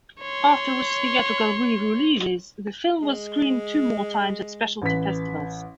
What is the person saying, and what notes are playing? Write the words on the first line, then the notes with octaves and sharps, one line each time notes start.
After its theatrical re-releases, the film was screened two more times at specialty festivals.
C#5 C6
G#3
A1 B4 B6